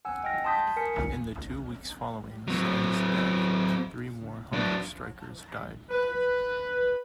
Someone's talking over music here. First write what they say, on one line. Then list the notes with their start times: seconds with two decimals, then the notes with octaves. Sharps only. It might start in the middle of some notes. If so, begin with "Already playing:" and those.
In the two weeks following Sands' death, three more hunger strikers died.
0.05 F#5 G#5 E6
0.24 D#5 G5 F6 A#6
0.45 A5 C6 D#6 G6 B6
0.76 A#4 G#5 B6 C#7
2.48 F#3 C4
4.53 F#3 D4
5.89 B4